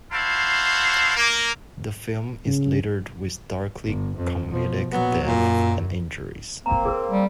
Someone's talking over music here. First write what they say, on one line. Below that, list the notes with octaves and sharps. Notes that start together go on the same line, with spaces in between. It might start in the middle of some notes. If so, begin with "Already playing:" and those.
The film is littered with darkly comedic deaths and injuries.
E4 F#4 C5 F5 A5
A#3
C#3
G1
F2
B2 F3
A#2 F#3 B3
F#2 A#2
A#3 C4 A#5
G#4 A#4
G3